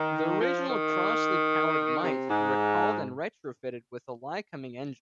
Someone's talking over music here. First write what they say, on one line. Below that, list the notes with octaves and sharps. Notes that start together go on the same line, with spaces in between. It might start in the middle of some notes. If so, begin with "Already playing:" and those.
The original Crosley-powered Mites were recalled and retrofitted with the Lycoming engines.
Already playing: D#3
F3
D#3
C3
G#2